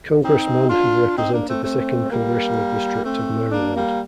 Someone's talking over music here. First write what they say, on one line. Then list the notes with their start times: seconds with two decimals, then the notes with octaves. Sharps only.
Congressman who represented the second Congressional district of Maryland.
0.23 C4 D#4
0.69 D4 F4
1.17 C4 D#4
1.32 A#3 D4
1.49 A3 C4
1.64 A3 C4
2.11 G3 A#3
3.05 A3 C4
3.52 A#3 D4
3.76 G3 A#3